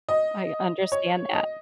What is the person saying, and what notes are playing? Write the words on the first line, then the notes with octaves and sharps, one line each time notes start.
I understand that.
D#5
C#5
D#5